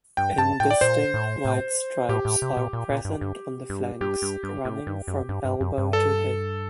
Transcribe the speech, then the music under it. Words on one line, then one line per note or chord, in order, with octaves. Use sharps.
Indistinct white stripes are present on the flanks, running from elbow to hip.
G2 G5
G2 A5
A2 G5
D5
A#2 C5
A2
A2
A2 G4
A2
C3
A#2
A#2
A#2
G2
G2
G2
G2 G4
G2
G2
A2
G2
F#2
G2
G2
F#2
G2
A4